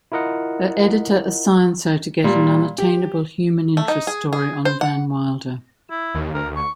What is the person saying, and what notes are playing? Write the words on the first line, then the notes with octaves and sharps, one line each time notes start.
Her editor assigns her to get an "unattainable" human interest story on Van Wilder.
E4 F4 A#4 D#5 F#5
A#2 G3
G4
A3
D#4
G#4
G#4
C5
F#5
E4
D#2
D2 A#4
C#6